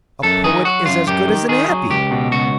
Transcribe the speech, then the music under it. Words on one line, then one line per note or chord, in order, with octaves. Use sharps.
A poet is as good as an abbe.
F#2 A4
D#3 G#4
F#3 F#4
F#2 F4
F#2 G4
D#3
D#3 G#4
F#3
C#2 G4
B2
C#2 F#4